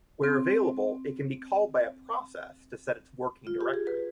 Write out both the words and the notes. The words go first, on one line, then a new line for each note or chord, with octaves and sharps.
Where available, it can be called by a process to set its working directory.
C4
F4
G4
G#4
B4